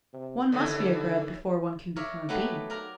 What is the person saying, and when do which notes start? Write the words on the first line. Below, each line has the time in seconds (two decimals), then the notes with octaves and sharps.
One must be a Grub before one can become a Bee.
0.14 C3
0.52 D#2 D3 E3
1.96 A#4 C#5 D5 E5
2.29 F#3 A3 B3 D#4 G4 B4
2.70 A#4 D5 A#5